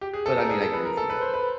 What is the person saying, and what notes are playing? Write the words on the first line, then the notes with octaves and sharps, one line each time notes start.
But, I mean, I agree with you, though.
G4
G#4
A4
A#4
G#4
A4
B4
A#4
A4
B4
C5
B4